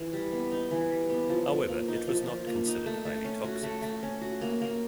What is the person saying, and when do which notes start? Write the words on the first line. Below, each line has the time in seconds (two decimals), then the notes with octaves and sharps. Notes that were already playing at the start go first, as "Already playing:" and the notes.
However, it was not considered highly toxic.
Already playing: E3
0.13 G3
0.32 B3
0.51 D#4
0.71 E3
0.90 G3
1.10 B3
1.29 F3
1.49 F3
1.69 A#3
1.88 D#4
2.07 F3
2.27 F3
2.47 A#3
2.66 D#4
2.86 A3
3.05 A3
3.25 C#4
3.44 F#4
3.63 A3
3.82 A3
4.03 C#4
4.21 F#4
4.41 A#3
4.61 A#3